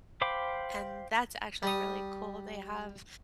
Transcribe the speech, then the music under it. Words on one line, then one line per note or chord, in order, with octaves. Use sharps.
and that's actually really cool, they have
C5 F5 G5 B5 D6
G3 D#6